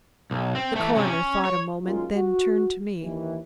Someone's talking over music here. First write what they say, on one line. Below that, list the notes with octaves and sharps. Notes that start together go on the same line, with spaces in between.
The coroner thought a moment, then turned to me.
B1
C4
E3 A3
C3 C#4
C#4
C#5
F#2 A#2 D#3 G#3 F4
F#4
D#2 E3